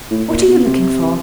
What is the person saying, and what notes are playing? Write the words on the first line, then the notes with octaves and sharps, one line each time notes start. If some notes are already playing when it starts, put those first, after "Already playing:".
What are you looking for?
A2
A#2
B2
C3